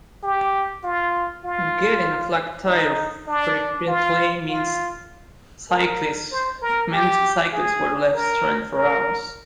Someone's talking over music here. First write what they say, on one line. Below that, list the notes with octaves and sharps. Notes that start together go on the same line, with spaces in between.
Getting a flat tyre frequently meant cyclists were left stranded for hours.
G4
F4
F4
D#4
D4
F4
F4
A#4
C5
A#4
G4
G#4
A#4
A#4